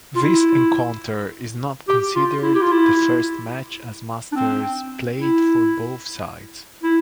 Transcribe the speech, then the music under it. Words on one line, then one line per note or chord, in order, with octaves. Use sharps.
This encounter is not considered the first match as Masters played for both sides.
F4
E4
G4
F4
E4
G4
F4
E4
D4
C4
E4
E4